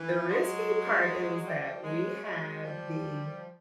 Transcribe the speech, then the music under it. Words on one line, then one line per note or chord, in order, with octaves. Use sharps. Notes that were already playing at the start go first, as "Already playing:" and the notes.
the risky part is that we have the
Already playing: E3
F#3 G#3
F3 G3
F#3 G#3
F#3 G#3
F3 G3